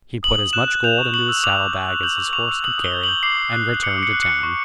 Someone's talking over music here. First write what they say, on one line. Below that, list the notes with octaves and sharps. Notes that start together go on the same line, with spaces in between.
He put as much gold into his saddle-bag as his horse could carry, and returned to town.
D#6 F#7
D#6
F#6 E7
F#6
G6 F7
C#6
C#6 F#7
E6
D6 F7
D6
F#6
F#6
G6 F#7
C#6
C#6 F7
E6
D#6 F#7
D#6
G7
G6
F#7
G6
D6 C7
D6
F#6
F#6
D6 C#7
D6
C#7
F#6
C#7
F#6
C#6